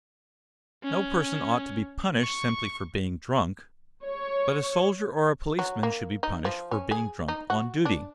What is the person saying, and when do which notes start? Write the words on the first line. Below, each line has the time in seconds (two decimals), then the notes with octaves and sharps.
No person ought to be punished simply for being drunk; but a soldier or a policeman should be punished for being drunk on duty.
0.83 C#4
2.21 C#6
4.05 C#5
5.59 F#3
5.83 A#3
6.23 D#4
6.45 F3
6.71 C#4
6.91 G#4
7.28 D#4
7.50 F#4
7.85 D4